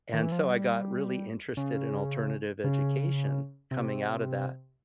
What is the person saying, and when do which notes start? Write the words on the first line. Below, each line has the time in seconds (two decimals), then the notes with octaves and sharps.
And, so I got really interested in alternative education, coming out of that.
0.14 D#3
0.22 E3
0.32 F3
0.40 F#3
0.50 G3
1.57 C#3
2.64 C#3
3.71 C3